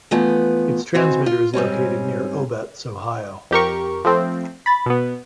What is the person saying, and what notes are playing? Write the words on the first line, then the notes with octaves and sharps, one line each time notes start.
Its transmitter is located near Obetz, Ohio.
E3 F3 A3 B3
D#3 E3 C4 F#4
F4
G#2 G3 C4 C#4
F2 G4 A#4 C#6
F3 A3 C4
B5 A6
B2 B3